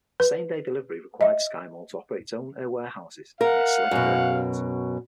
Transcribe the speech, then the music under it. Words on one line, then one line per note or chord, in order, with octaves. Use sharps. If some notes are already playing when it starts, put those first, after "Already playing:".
Same-day delivery required SkyMall to operate its own warehouses near select airports.
B4
D#5 E5
A#4 F5 F#5
F#2 B2